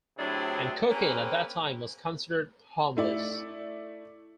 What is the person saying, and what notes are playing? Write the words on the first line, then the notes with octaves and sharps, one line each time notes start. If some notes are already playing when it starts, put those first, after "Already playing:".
And cocaine at that time was considered harmless.
A2 C3 F#3 D4 E4 G#4
A#3 C4 C#4 G#4 B4
A3 E4 D5